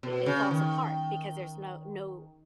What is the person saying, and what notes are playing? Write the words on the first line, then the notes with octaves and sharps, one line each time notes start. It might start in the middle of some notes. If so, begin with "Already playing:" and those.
i it falls apart because there's no no
B2
C#3
D#3